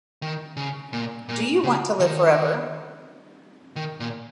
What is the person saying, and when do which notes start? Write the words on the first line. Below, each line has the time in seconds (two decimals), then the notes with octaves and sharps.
Do you want to live forever?
0.22 D#3
0.57 C#3
0.93 A#2
1.29 A#2
1.63 C#3
2.00 D#3
3.76 D#3
4.00 A#2